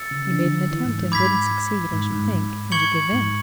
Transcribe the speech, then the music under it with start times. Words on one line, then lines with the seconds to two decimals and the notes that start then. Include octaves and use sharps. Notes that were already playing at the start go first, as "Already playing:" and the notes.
You made an attempt and didn't succeed, as you think, and you give in.
Already playing: E6 A6 C#7
0.11 C#3
0.31 D3
0.71 E3
0.85 G#2
0.98 G#2
1.12 G#2 B5 D6 G#6 B6
1.92 G#2
2.12 G#2
2.31 G#2
2.72 C#6 G#6 C#7 F#7
3.12 G#2